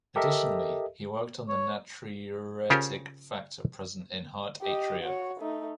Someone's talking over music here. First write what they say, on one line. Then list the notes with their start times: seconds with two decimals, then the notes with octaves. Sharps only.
Additionally, he worked on the natriuretic factor present in heart atria.
0.16 G4 A4 A#4 D#5 E5
1.49 C#5
2.70 C#3 C#4 F4 G4 A#4 C5
4.62 G4 D#5
5.03 F#4 C#5
5.40 A3 D#4